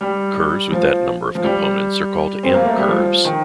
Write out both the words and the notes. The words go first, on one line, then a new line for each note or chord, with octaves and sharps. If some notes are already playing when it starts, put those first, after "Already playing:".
Curves with that number of components are called M-curves.
G3
F3
F3
G3
C4
A#3
A3
G3
F3
D#3